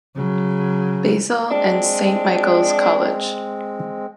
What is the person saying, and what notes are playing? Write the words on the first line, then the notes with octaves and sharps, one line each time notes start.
Basil and Saint Michael's College.
C#3 F#3
G#3 C4 D4